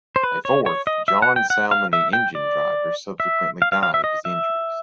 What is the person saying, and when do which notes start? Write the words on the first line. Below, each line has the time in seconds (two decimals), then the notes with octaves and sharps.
A fourth, John Salmon the engine driver, subsequently died of his injuries.
0.16 C5
0.24 B4
0.45 C#5
0.66 C#5
0.87 D#5
1.08 E5
1.22 F#5
1.36 G5
1.50 F#5
1.71 F5
1.93 E5
2.13 G5
2.35 D5
3.20 E5
3.62 F5
3.72 F5
3.83 F5
3.94 E5
4.04 D#5
4.25 E5